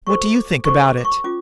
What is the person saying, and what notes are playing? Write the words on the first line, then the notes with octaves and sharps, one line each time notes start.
"What do you think about it?"
F#4 A4 C5 C#6
D6
F#4 A4 C5 C#6
D6
D6
C#6
C#4 F4 D6